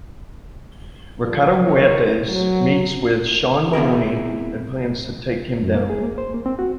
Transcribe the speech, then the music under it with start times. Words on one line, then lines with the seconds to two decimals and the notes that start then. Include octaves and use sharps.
Ricardo Huertas meets with Sean Mahoney and plans to take him down.
1.21 D3 F3 G3
1.62 D#3 A#3 A#4 C5 C#5
2.27 F#3
3.73 B3 C4 E4 G#4 A#4
5.63 F#2
5.75 A#3
5.90 G#4
6.03 A#3
6.18 C5
6.34 A#3
6.46 C4
6.59 F#4